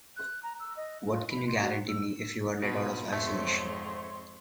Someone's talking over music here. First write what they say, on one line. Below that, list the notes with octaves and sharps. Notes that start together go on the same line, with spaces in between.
What can you guarantee me if you are let out of isolation?
F#6
A#5
E6
D#5
F4
B5
C6
F#4
E6
B2 F4 B4
F2 G#2 A3 C4 C5 C#5 C6